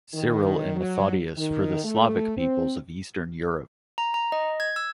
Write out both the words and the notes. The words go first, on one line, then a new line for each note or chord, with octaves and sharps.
Cyril and Methodius for the Slavic peoples of Eastern Europe.
D#3
F#3
D#3
A3
C4
A#5
A#5
D#5
G#6
E6